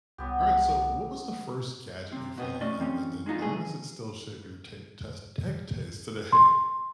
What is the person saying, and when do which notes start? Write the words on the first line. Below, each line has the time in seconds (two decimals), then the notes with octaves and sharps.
All right, so what was the first gadget you fell in love with, and how does it still shape your ta test tech taste today?
0.18 C2 F#3 B3 G4
2.12 C3 C4
2.38 B2 B3 C4
2.61 A3 C#4 D5 D#5
2.80 E3 C4 C#4
3.26 G#3 D4 D#4 F4
3.39 G2 A3 G#4
6.32 C6